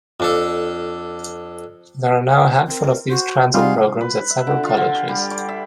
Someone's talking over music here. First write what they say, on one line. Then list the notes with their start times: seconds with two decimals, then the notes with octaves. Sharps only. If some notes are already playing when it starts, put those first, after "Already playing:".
There are now a handful of these transit programs at several colleges.
0.20 F2 D4 A4
2.67 C4 A#4
3.09 F#4 C5
3.54 C3 G3 D#4 F4 G#4 F5 F#5 C6
4.01 B4
4.30 E5
4.47 D3
4.63 F4
4.77 D3
4.95 G4
5.08 G3
5.31 D6
5.48 E5